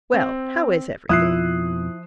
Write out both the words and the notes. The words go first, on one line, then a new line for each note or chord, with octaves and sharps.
'Well, how is everything?'
C4
F2 B2 F3 E4 D#6 F#6 C7